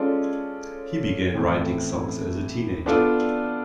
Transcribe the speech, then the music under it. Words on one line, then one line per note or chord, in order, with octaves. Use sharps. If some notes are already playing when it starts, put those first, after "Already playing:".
He began writing songs as a teenager.
Already playing: G#3 C#4 F4 A4 D5
A2 E3 A3 C4 E4
B3 D4 F4 A4 D5